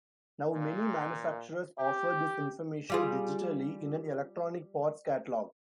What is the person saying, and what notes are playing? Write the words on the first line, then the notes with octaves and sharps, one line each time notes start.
Now, many manufacturers offer this information digitally in an electronic parts catalogue.
A#2
G4
G3 F4 G#4